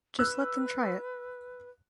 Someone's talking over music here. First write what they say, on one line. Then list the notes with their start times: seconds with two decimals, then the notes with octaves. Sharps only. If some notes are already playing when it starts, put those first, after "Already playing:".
Just let them try it.
0.19 B4 E6 F#6